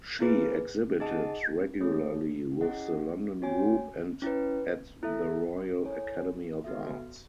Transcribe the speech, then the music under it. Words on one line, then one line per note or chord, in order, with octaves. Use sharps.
She exhibited regularly with the London Group and at the Royal Academy of Arts.
B3 E4 G#4 B4
D#4 G#4 D#5 F#5 A5
A3 D#4 G#4 C#5
C#4 E4 G#4 D#5 F#5
C#4 F#4 C#5 G#5
C#4 E4 B4
E4 A4 E5
E4 A4 C#5 G#5
B3 F#4 A4 E5